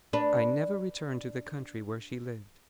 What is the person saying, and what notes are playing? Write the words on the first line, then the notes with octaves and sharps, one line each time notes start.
"I never returned to the country where she lived."
D4 B4